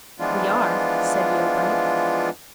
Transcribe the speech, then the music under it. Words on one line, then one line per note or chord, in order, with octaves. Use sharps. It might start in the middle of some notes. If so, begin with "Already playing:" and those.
"We are," said Yeobright.
E3 F3 G#3 B3 D4 F4